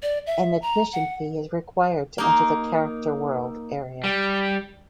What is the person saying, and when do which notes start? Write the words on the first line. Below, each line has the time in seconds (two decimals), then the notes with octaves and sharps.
An admission fee is required to enter the Character World area.
0.02 D5
0.27 E5
0.62 A#5
0.93 F#5
2.18 A#3 D#4
4.04 G3